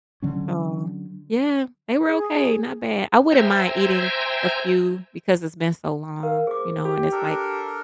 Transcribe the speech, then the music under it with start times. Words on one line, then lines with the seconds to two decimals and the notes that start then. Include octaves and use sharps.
So, yeah, they were okay, not bad. I wouldn't mind eating a few because it's been so long, you know, and it's like
0.22 D3 F#3 C#4
2.07 G#4
3.32 C5 E5 G5 G#5 A#5
6.23 A#4 F5
6.47 G#4 C5 D6
6.85 G4
7.12 D4 A4 A#4